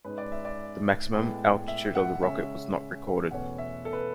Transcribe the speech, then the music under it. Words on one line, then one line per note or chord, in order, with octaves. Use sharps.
The maximum altitude of the rocket was not recorded.
G#2 G#3 C#4 B4
D5
E5
D5
A2 G#3 B3
E5
F#5
C#3 G#3 C#4 E5
E2 B2 A3 C#4 F#5
E5
A4
B4